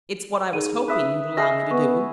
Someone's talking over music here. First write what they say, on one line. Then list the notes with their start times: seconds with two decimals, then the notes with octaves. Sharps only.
It's what I was hoping you'd allow me to do.
0.53 D#4 G#4 D#7
0.88 B4 E5 D#6
1.37 G#4 D#5 E5 A#6 C7
1.71 B3 C#6